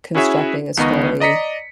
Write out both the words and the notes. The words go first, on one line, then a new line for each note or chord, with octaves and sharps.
constructing a story,
C#4 E4 F#4 G#4 C#5 E5
C#2 D#3 B3 D#5 A#5 C#6
D5 D#5 A#5 B6 C#7